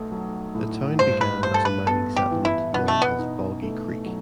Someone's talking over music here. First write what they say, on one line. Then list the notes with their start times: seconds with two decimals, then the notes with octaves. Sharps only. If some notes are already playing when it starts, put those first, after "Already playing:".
The town began as a mining settlement known as Boggy Creek.
Already playing: B1 A3
0.12 F#3
0.55 A2
0.99 G2 C5
1.21 B4
1.43 G2 C5
1.54 A4
1.65 B4
1.86 B3 A4
2.16 G4
2.31 E3
2.45 E4
2.74 B2 B3
2.88 A3
3.02 B3
3.18 D#4
3.62 A3
4.06 F#3